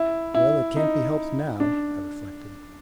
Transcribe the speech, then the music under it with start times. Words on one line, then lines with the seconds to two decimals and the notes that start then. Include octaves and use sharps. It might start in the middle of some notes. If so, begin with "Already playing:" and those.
"Well, it can't be helped now," I reflected.
Already playing: E4
0.34 E4
0.77 D#4
1.60 D4